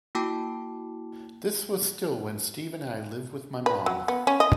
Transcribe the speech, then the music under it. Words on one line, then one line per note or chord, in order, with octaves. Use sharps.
This was still when Steve and I lived with my mom.
A#3 E4 F#4 G5 A5 D6
B4
F#3
B3
C#4
D#5